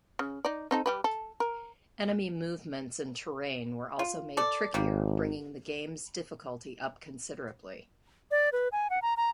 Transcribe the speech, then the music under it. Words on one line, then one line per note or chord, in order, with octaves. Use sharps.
Enemy movements and terrain were also made trickier, bringing the game's difficulty up considerably.
C#3
D#4 D5
C4 D#4 A4
G3 G4 B4
A4
A#4
F4
A4 D5
G#1 G3 A#3
D5
B4
G#5
F#5
A#5
A#5